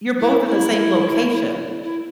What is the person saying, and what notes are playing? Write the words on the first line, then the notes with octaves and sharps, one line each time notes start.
You're both in the same location.
E4
E4
E4